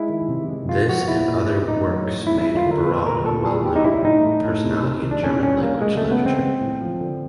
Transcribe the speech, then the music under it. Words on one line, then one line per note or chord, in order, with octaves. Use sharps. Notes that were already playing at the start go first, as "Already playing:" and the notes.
This and other works made Brod a well-known personality in German-language literature.
Already playing: G#3 E4
D#3
C3
G#3
G#3 F4
F3 F#4
A#2 E4
A#2
A#2
A2 D#4
F#3
A2
G#3 E4
E4
F3
F4
D3 A#4
A#2 B4
A#2 A#4
A#2 A4
G3 G#4
G3 G4
D#4
G3 E4
A2 D#4
A2
A2
C3
C3
D#3
D4
A#2 C#4
G3 C#4
G3 A#3
C#3 G#3
C#3 A3
B3
G#3 C4
G#3
A2
F3
D3